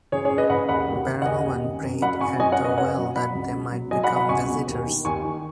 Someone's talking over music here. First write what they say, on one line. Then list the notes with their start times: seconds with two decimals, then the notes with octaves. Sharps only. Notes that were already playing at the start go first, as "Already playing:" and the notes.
Barren women prayed at the well that they might become visitors.
0.12 C#3 G#4 C#5
0.25 G#4 C#5
0.31 C#3
0.38 B4 D#5
0.50 C#3 F#5 B5
0.69 D#2 F#5 B5
0.87 D#2
1.07 C#3
1.22 F#5
1.26 D#2 D#5 G#5
1.45 D#2
1.64 F#1
1.83 F#2
2.02 F#3 F#5 B5
2.21 F#1 G#5 C#6
2.39 F#1 D#5 G#5
2.52 C#5 F#5
2.59 F#1
2.64 B4 D#5
2.78 F#2 C#5 F#5
2.97 F#3
3.16 F#3 F#5 B5
3.35 C#2
3.54 B2
3.72 F#3
3.91 F#3 D#5 G#5
4.04 F#5 B5
4.10 F#3
4.16 F#5 B5
4.29 C#2 G#5 C#6
4.49 B2
4.67 D#2
4.87 D#3
5.05 D#2 G#5 C#6
5.24 D#3